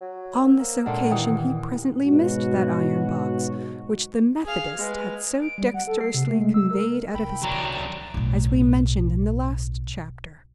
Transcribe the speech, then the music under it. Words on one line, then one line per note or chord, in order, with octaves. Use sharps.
On this occasion he presently missed that iron box which the methodist had so dexterously conveyed out of his pocket, as we mentioned in the last chapter.
F#3
A#4 C5
A#3 E6 A#6
A#2 G#3 D4 A4 F#5
D#2 E3 F5 G5 D#6
G#2 B2 F#3 F#4
G#4 F5
G#3 B4
D7
G3
F#5
A4
C7
C3
A3
G#3
E6
A#4
C2 G5 B5
F#3 D4 A#5
B1 A2